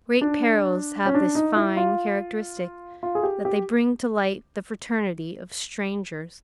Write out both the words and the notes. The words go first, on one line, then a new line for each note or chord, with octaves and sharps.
Great perils have this fine characteristic, that they bring to light the fraternity of strangers.
D4
C#4
D4
D#4
E4
F4
F4
G#4
G4
G4